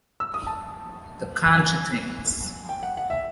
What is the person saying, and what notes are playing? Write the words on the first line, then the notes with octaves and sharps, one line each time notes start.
The country things.
E6
D#6
A5
G#5
G5
F#5
F#5
E5